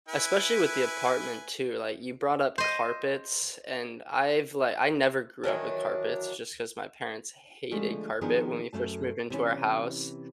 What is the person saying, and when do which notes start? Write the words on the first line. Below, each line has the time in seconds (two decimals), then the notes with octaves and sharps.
especially with the apartment too, like, you brought up carpets and I've, like, I never grew up with carpets just 'cause my parents hated carpet when we first moved into our house.
0.09 E4 B4 G#5
2.58 C5 D#5
5.44 D#3 E3 F#3 D4
7.71 D3 F3 G#3 A3
8.21 D#3 F3 B3 D4 G#4 A#4
8.73 F#2 A3 A5
9.30 C3 E3 C#4